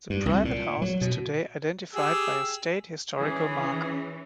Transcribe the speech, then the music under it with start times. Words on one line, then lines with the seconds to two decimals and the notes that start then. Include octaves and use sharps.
The private house is today identified by a state historical marker.
0.10 G2
0.26 C2
0.45 A#2
0.82 F#3
1.01 B2
1.95 G4 G#4 E6
3.17 E3 C#4 G#4